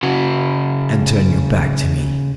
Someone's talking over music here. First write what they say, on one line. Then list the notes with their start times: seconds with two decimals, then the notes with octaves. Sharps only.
"And turn your back to me."
0.03 C#3 F#4